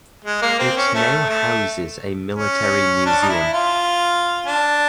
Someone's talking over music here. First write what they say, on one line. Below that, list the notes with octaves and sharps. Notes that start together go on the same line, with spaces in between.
It now houses a military museum.
G#3
A#3
C4
C#4
A3
A3
C#4
D4
D#4
E4
F4
D4